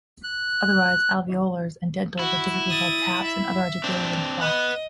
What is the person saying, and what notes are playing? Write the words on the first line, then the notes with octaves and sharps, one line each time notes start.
Otherwise, alveolars and dentals are typically called "taps" and other articulations "flaps".
F#6
E4 F#4
D#6 A6
E5
C4 D4
B4 D#5 F#5